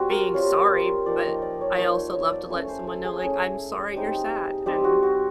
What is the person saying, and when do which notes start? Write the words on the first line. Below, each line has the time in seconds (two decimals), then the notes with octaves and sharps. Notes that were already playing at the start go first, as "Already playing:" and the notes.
being sorry, but I also love to let someone know, like, "I'm sorry you're sad," and
Already playing: G3 C4 F4 F#4
0.10 A#4
0.34 G3 C4 F4 C#5
1.06 F3 A#3 D#4 D5
1.25 D#5
1.42 D5
1.61 C#5
1.78 F3 A#3 D#4 C#5
1.97 D5
2.14 C#5
2.32 D5
2.50 A3 C#4 E4 C#5
2.68 C5
2.87 A4
3.05 G#4
3.23 A3 C#4 E4
3.94 G3 C4 D#4
4.66 G3 C4 D#4 G4
4.84 F#4
5.03 F#4